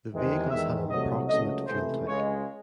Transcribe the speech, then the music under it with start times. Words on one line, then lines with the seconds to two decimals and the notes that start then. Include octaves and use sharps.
The vehicles had an approximate fuel tank.
0.12 E2 C3 D#3 G#3
0.50 E2 D#3 G#3 E5
0.89 C2 C3 F#3 A3 D#5
1.28 C#2 C#3 F#3 A3 D#5
1.67 C#2 C3 E3 A3 C5
2.07 C#2 C#3 G#3 C#5